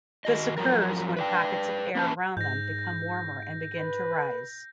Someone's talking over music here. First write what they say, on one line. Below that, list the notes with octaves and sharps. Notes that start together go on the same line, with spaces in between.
This occurs when pockets of air around them become warmer and begin to rise.
D#3 F#4 D#5
F#2 F3 F#3 A#4
B4 D5 G5
A#3 C#4 B4 D5 A5
G#2 G6 A#6
B4